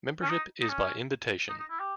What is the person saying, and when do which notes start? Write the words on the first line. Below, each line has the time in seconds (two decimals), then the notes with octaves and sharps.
Membership is by invitation.
0.22 C#4
0.29 D#4
0.62 D#4
0.69 C#4
1.49 D#4
1.59 D#4
1.70 E4
1.80 G4